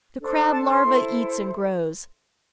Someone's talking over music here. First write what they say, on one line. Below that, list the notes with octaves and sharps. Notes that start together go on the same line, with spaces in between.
The Crab larva eats and grows.
D4 A4 C5
A5
C6
E4 A4 C5